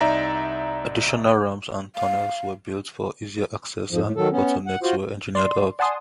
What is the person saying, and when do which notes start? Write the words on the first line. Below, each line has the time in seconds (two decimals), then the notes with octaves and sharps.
Additional ramps and tunnels were built for easier access, and bottlenecks were engineered out.
0.01 C2 D#4 D5 E5 A#5 A#6
1.96 F5
3.91 F2 G#2 F3
4.04 A2
4.16 D#3 F#3 A4
4.32 B3 C#4
4.67 F#5
4.83 F4 F#4 C5
5.35 D5 C6
5.79 D5 F#5 G#5 A5 C6 D#6